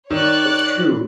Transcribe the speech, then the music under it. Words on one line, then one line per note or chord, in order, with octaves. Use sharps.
That's true.
D#3 C#5 D5 F#6